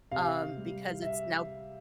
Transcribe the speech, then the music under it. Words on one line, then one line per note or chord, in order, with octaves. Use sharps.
um, because it's now
C3 F5
G3
E5